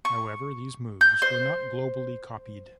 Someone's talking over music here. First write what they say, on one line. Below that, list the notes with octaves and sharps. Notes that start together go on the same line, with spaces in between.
However these moves were not globally copied.
C#6
G6
C5